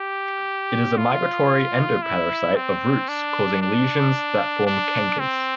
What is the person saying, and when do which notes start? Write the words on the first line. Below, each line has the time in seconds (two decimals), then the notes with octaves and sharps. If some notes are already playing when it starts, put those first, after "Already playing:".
It is a migratory endoparasite of roots, causing lesions that form cankers.
Already playing: G4
0.98 F4
2.03 E4
2.56 C4
3.09 D4
3.62 D4
4.67 D4
5.20 C4